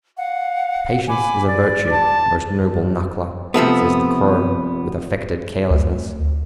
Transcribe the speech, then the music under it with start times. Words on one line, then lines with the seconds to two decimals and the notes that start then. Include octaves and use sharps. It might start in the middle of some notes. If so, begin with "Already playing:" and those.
"Patience is a virtue, most noble knuckler!" says the Crow, with affected carelessness.
0.17 F5 F#5
1.08 G#5 B5 D6
1.47 D5
1.92 A5
3.54 C3 F3 A3 B3
5.70 D2